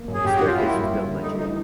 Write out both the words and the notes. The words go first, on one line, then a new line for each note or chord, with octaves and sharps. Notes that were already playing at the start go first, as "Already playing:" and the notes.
The staircase was built by J.
Already playing: A#3
F#2
G#4
F#2 G4
G3 F#4
F4
A#3 E4
F#2
G3
D3
A3 D#4
E3 D#4